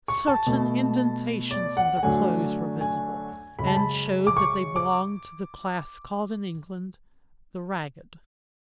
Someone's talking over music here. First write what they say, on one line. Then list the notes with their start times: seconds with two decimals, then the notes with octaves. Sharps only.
Certain indentations in their clothes were visible, and showed that they belonged to the class called in England the ragged.
0.08 C#6
0.27 A5
0.47 B2 A3
1.51 D5
1.77 F#5
1.97 F#5
2.03 F#2 D3 F#3 A3 G#5
2.81 G#5
3.59 F#2 C#3 G#3 B5
3.67 A5
3.76 B5
4.27 D6
4.37 C#6
4.76 D6